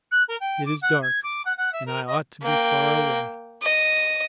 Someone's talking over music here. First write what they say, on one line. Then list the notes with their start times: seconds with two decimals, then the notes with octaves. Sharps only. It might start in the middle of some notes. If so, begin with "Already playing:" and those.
It is dark and I ought to be far away.
0.11 F#6
0.28 A#4
0.40 G5
0.65 D6
0.82 F#5
1.02 G#6
1.23 D6
1.45 F#5
1.57 F#5
1.73 E5
1.86 A#4
2.07 D#5
2.43 A#3 G5
3.63 D#5